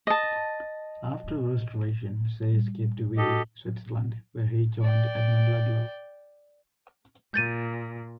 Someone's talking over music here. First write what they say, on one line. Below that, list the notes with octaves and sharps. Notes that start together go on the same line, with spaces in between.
After the Restoration, Say escaped to Vevey, Switzerland, where he joined Edmund Ludlow.
D#5 A5
G3
D4 F#4 G4 A4 D#5
D5 G5
A#2 G6 A6 D#7